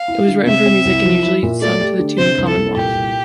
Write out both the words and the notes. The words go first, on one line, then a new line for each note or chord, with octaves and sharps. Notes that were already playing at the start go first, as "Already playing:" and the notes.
It was written for music and usually sung to the tune "Commonwealth".
Already playing: F5
E4
D3
C3 E5
C4
C2
F3
E4
A#2
A3 D5
G4
D3
C3 C5
C2
A4
C2
A#2 G4
C2